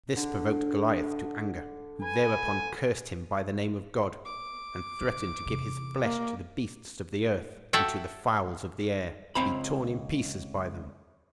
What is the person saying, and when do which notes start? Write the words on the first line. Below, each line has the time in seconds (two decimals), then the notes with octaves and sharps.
This provoked Goliath to anger, who thereupon cursed him by the name of God, and threatened to give his flesh to the beasts of the earth, and to the fowls of the air, to be torn in pieces by them.
0.16 D3
2.02 B4 G#5
4.25 D6
5.01 D3
5.46 E2 C3
6.03 A#3
7.73 F#4 A4 C#5 E5 G5
9.35 C#2 C4 A#5 B5